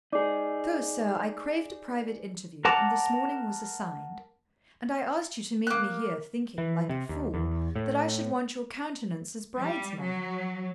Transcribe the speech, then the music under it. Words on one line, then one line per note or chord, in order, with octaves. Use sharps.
So, sir, I craved a private interview, and this morning was assigned; and I asked you to meet me here, thinking, like a fool, that I should want your countenance as bride's-man.
D#4 G#4 D5 D6
A#4 F#5 A5 A#5 D6
A#3 F#6
E3
C3
D#2
E2
A2
G3
F#3